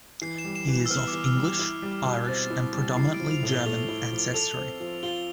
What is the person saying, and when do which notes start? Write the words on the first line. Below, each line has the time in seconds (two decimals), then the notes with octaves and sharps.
He is of English, Irish, and predominantly German ancestry.
0.21 E3 C7
0.38 E7
0.44 G3
0.56 E7
0.67 E3
0.73 E7
0.86 E6
0.90 B3 F6
1.08 D6
1.13 E3
1.25 E6
1.36 G3
1.41 D6
1.54 F6
1.59 E4 E6
1.82 G3
2.05 B2
2.28 C4 A6
2.50 E4
2.74 G3
2.97 E4 C7
3.14 D7
3.20 F3
3.31 F7
3.43 A2
3.48 G7
3.66 A3 F7
3.88 E4
4.11 F3
4.34 A4 F7
4.57 C4
4.80 F3
5.03 F4 G7